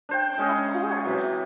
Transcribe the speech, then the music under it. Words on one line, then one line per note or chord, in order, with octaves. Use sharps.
Of course.
D4 C5 G5
G#3 C#4 G#4 D#5
C3 E3 F#3